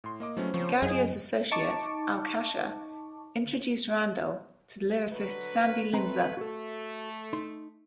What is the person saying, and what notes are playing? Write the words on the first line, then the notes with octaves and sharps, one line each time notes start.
Gaudio's associate, Al Kasha, introduced Randell to lyricist Sandy Linzer.
A2 C6
A#3 D#5 D6
F3 F#3 A3 B3 C#4 E4
C#3 F3 A#3 C4 C5 A#5 C#6
F#2 G#4 D#5
D#4 A5 C#6 D6
D3 F#3 B4
A3 C4 B4 A#5
A3 F#4 A4
D#4 C6